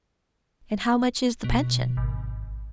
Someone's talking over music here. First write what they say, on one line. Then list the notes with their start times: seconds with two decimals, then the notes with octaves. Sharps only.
"And how much is the pension?"
1.44 B2
1.97 G#1